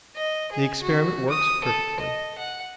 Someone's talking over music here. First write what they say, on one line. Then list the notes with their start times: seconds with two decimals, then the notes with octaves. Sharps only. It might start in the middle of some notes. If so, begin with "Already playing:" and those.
The experiment works perfectly.
0.15 D#5
0.52 G#4
0.83 F#4
1.30 D#6
1.64 A4
2.00 D#5
2.38 F#5